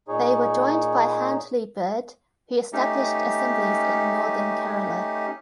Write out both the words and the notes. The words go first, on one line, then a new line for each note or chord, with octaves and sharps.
They were joined by Handley Bird, who established assemblies in Northern Kerala.
A#2 D#4 G#4 C#5
A3 C#4 D#4 G4